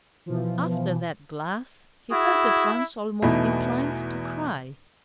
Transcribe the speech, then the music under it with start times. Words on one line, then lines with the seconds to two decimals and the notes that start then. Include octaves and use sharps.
After that glass he felt at once almost inclined to cry.
0.26 B2 E3 F3
2.11 E4 F#4 G#4
3.22 E2 B2 E3 A3 D#4 E4